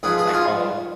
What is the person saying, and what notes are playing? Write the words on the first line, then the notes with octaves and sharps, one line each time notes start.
like home
G#2 F3 G#4 B4
G#4 B4
F#4
F4 G#4